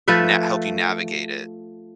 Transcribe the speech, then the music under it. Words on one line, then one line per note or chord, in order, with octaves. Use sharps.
na help you navigate it.
F3 A3 B4 E5